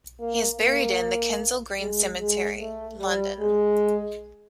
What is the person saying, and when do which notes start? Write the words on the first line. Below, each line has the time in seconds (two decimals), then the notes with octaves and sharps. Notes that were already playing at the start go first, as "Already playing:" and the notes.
He is buried in the Kensal Green Cemetery, London.
0.20 A#3
0.60 A#3
1.80 G#3
2.20 G#3
2.59 A3
3.00 G3
3.39 G#3